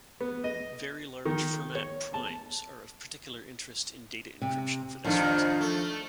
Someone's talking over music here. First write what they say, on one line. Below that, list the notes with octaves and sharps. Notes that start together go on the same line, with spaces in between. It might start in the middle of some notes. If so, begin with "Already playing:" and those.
Very large Fermat primes are of particular interest in data encryption for this reason.
B3
D#5
D#3
C#5
A5
C3
F2 D#3 F3 D4
A3